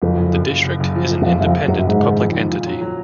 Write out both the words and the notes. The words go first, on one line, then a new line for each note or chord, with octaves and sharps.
The district is an independent public entity.
F#1 F2
F#1
F#2
F#1
F#1
F#1
F3
F#1
F#2
F#1 F2
F#1 F#2
F2
F#1
F#2
F#1
F#2
F#1 G#2
D#3
F2
D#3
A#2
F#3
F#3